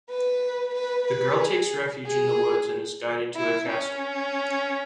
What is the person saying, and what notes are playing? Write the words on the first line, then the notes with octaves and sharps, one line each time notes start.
The girl takes refuge in the woods and is guided to a castle.
B4
B4
B4
G#4
G#4
E4
C#4